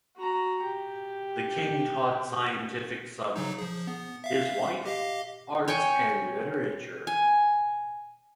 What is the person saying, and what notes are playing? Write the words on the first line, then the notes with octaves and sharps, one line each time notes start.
The King taught scientific subjects; his wife, arts and literature.
F#4 A#5
G4
C#3 F#3 D#4
F3 G#4
B3
E5 F5
G4 D#5 F5
C#5 G5 G#5 C#6
G#5